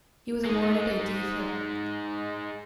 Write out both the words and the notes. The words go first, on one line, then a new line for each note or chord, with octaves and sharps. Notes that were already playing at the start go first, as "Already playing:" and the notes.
He was awarded a D. Phil.
G#3 D#4